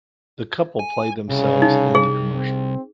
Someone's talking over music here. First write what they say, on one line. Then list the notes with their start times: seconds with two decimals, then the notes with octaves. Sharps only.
The couple play themselves in the commercial.
0.79 G#5
1.29 C2 C#3
1.62 D#4
1.95 G#4
2.34 C4